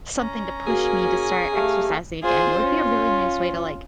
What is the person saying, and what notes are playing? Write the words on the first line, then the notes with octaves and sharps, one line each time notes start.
something to push me to start exercising again, it would be a really nice way to, like,
C#4 A#5
A#3 F#4 G#4
A3 G4 F5
F4 G#4 C5
C#4